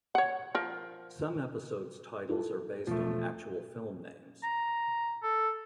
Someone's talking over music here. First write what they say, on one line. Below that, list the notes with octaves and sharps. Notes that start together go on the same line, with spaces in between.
Some episodes' titles are based on actual film names.
C#5 F#5
F3 A#4
E4 F4 A4
E1 F3 A3
A#5
A4